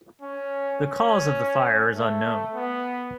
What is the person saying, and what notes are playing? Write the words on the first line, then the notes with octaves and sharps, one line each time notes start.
The cause of the fire is unknown.
C#4
C#4
A3
B3